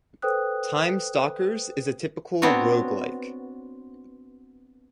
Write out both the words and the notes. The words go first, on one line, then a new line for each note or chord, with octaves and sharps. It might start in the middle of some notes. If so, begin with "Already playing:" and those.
Time Stalkers is a typical Roguelike.
A4 B4 C5 G5 D#6 F#6
B3 C4 D4 F#4 C#5